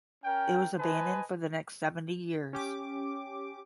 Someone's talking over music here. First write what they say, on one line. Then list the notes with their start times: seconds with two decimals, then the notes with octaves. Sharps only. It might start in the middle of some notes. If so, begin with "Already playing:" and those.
It was abandoned for the next seventy years.
0.25 C#4 A#4 G5
0.79 B4 C5 D#5 G#5 A5
2.53 C#4 G4 D6